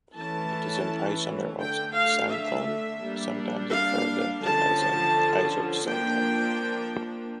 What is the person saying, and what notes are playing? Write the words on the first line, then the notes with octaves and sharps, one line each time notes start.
It is an isomer of xanthone, sometimes referred to as an isoxanthone.
E3 A3 C#4 A5
D3 A3 D4 G5
F5
E5
G3 A#3 D4
F5
D3 F3 C#4 A5
F3 A#3 D4 G5